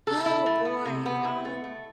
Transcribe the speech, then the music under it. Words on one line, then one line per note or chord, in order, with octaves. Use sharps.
Oh, boy, um,
A4
E4
A3
B3
C3
B3
E4
A3
A3